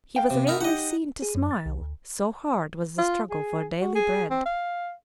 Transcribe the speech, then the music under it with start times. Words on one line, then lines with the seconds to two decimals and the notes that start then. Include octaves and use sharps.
He was rarely seen to smile, so hard was the struggle for daily bread.
0.16 F5 G5
0.30 C3
0.47 D#4 E4 A#4
0.61 D#4 G4 D#5 F#5
1.22 G#4
1.35 F#2
1.51 A6
1.66 C2
1.81 D2
2.98 F4
3.30 G#4
3.81 F#4
3.95 G#4
4.30 C4
4.46 F5